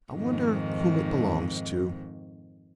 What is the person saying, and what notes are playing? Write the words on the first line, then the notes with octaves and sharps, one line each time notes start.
I wonder whom it belongs to.
F2 G#2 D#3